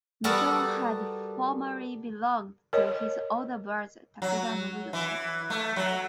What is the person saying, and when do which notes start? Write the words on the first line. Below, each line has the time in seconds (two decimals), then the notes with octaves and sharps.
Mito had formerly belonged to his older brother, Takeda Nobuyoshi.
0.24 G3 B3 F#4 A4 A#4 F#5
2.73 A#4 C#5 D#5
4.22 F#3
4.93 E3
5.50 A3
5.76 F#3